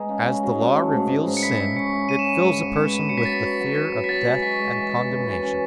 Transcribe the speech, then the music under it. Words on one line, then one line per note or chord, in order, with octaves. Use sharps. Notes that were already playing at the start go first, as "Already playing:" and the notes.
As the Law reveals sin it fills a person with the fear of death and condemnation.
Already playing: G#3 B3 D#4
C#3
C#3
F#3
C#3
A3
G#2
G#2
G#2
C#7
E4 B6
E4
C#4 C#7
E4
C#4 D#7
E7
C#4 D#7
G#2 D#7
G#2
B3 C#7
B3
F#3 C#7
B6
B3 A6
B6
F#3
F#3
F#3
B3
B6
B3 A6
G#3
F#4 B6
G#3
E3
E3
F#2
E3
C#4